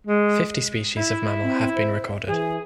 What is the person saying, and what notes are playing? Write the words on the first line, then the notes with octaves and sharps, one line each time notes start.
Fifty species of mammal have been recorded.
G#3
E4
C4
C5
E3 G#4